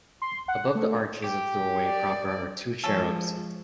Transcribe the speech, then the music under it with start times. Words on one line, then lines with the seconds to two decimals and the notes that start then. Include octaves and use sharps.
Above the arches of the doorway proper are two cherubs.
0.22 C6
0.48 F#5
0.75 A3
1.24 G4
1.85 D5
2.84 F3 G#3 C#4 A4